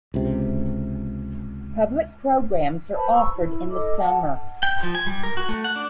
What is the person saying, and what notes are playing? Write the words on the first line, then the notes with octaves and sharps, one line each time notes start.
Public programs are offered in the summer.
C#2 C3
B4 C5 A5 B5
C#6 E6
E4
A4 D#5 D6
F#5 A5
G5
F3
G#5
G3
A#4
F#4
A3
F#5
D4